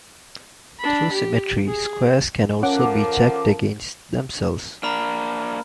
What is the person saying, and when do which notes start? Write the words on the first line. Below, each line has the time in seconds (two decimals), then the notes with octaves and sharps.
Through symmetry squares can also be checked against themselves.
0.80 D4 B5
1.13 G4
1.68 G#4
2.63 F3 C#4 A4 A#4 F#5 D6
4.83 A#3 D4 A#5 B5 F6